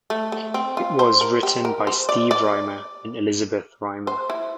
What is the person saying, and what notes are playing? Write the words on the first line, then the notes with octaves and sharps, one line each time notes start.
It was written by Steve Rhymer and Elizabeth Rhymer.
A3
A3
C4
F4
C5
A#4
G4
A#4
C5
D5
D5
C5
E4